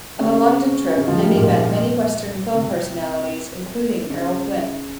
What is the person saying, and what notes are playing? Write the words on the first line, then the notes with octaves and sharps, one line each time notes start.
On the London trip, Nimmi met many western film personalities including Errol Flynn.
C#3 C#4
D#4
C#3 C#4
F3 F4
G3 G4
G#2 G#3
A#2 A#3
C3 C4
C#3 C#4